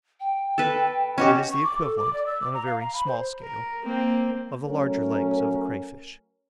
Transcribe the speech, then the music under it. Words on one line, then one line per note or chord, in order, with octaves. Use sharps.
It is the equivalent, on a very small scale, of the larger legs of the Crayfish.
G5
A4 B4
C#4 F#4 G4 D#5
C#6
D6
A4
D6
D5
E6
D6
A#5
F5
A#5
B5
C5
A#4
A#3 C4
F#3 A3 C#4 A#4